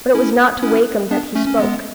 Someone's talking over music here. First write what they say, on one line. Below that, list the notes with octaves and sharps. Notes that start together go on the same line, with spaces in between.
But it was not to Wakem that he spoke.
C#4 E4
C#4 E4
B3 D4
A3 C#4
C#4
G#3 B3